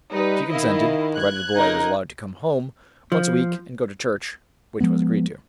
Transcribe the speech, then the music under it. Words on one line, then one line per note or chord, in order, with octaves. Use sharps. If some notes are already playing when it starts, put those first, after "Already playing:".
She consented, provided the boy was allowed to come home once a week and go to church, which was agreed to.
G3 D#4 B4
D#3 E4 D#5 F5
F#6 G#6
C#3 D#4 A#4
F3
F3 G#3 B3